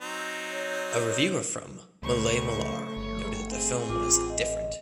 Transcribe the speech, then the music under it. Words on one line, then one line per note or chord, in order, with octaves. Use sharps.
A reviewer from "Maalai Malar" noted that the film was "different".
F#3 C4 D#4
C#5
C#2 C#3 A3 C5 C#6
G1 C#5
C4 G#4
A1 F4 D6
D#5